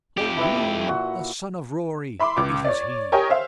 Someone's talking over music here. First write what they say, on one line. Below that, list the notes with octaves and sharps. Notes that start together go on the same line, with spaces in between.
O'Bloom, the son of Rory: it is he.
F2 G4
E4 B4 E5
A#2 F#4
E5 B5 C6 D6
C#2 D6
C#5 D5
G4 A#4 C#5 D#5 G5 G#5
C5 E5 F5